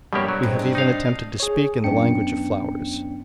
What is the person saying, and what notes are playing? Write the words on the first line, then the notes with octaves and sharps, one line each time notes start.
We have even attempted to speak in the language of flowers.
G2 B2 A#3 G4 C#5
F#3
G#2 C4
D4
D#4 F5
G#4 C#5
F#2 B3 C#4 D4 G5 C#7